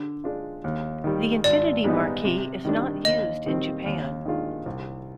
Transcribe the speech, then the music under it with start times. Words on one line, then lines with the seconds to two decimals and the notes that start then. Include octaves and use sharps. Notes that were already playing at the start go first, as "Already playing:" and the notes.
The Infiniti marque is not used in Japan.
Already playing: D3
0.24 G#3 D4 F4
0.64 D#2
1.04 D#3 G3
1.44 G#1 D5
1.84 G#2 G3 B3 D#4
2.25 C3
2.65 D#3 G3 D4
3.05 D#2 D#5
3.46 D#3 G3 C4
3.85 D#2
4.26 D#3 G#3 D4 F4
4.66 C2